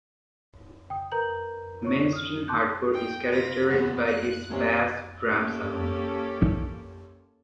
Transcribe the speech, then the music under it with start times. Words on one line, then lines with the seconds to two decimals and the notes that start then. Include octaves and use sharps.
Mainstream hardcore is characterized by its bass drum sound.
0.90 G5 D#6
1.12 A#4 B4 A#5 G6 F#7
1.82 F4 C#5 C#6
2.13 D#6 F6
2.48 A5 C6 D6 F#6 G6
2.94 G5
3.31 F4 B5 A#6
3.68 E2 A#2 B3 F#4
4.07 F#6
4.48 D#2 C3 C#4
5.30 A#3 C#4 G4 A4